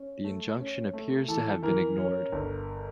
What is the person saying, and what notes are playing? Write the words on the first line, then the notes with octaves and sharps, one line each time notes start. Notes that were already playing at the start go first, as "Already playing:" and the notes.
The injunction appears to have been ignored.
Already playing: C#4
A3
C#4
A3
E3 A4
E3 A#4
C#4
G1